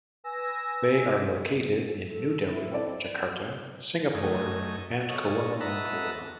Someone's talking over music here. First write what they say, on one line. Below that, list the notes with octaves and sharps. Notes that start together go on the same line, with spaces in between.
They are located in New Delhi, Jakarta, Singapore and Kuala Lumpur.
B4 G#5 E6 A#6
A4
E4
C4 A4 D5
F#2 A3 D#4 G#5
A4 C#5 D#5
B4 D#5 E5 F#5 A5 A#5